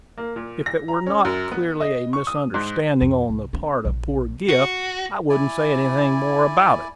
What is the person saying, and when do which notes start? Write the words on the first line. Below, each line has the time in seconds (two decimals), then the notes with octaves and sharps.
"If it were not clearly a misunderstanding on the part of poor Griff, I wouldn't say anything more about it."
0.18 A#3
0.36 A#2
0.66 A#6
0.88 A#5
1.06 C#4
1.25 F#2
1.52 B3
1.80 D#5
2.13 C#6
2.27 D#6
2.54 G#2
3.01 F2
3.29 C2
3.53 C4 D4
3.85 A#1 F3
4.49 F#4
5.30 E4 D5 G#5